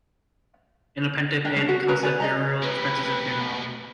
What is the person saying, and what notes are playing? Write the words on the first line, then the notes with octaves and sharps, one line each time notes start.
Independiente paid the costs of burial expenses and funeral.
D4 A#4 G5
C#4 D4
C#4 F#4 A#4 C#5
C#4 A#4 B4 A#5
C#4 B4 D5 G#5
D5 D#5 A#5
E3 A3 A#3 G4 B4